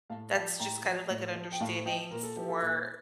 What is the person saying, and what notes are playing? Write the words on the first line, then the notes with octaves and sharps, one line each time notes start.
that's just kind of like an understanding for
A2 F5 A5
F3 F5 A5
A2 G5 A#5
F3
A2
F3
G5
A2 F5 A5
F3 D#5 G5
A#2 A#4
A4
F3 G4
F4 A4
A#2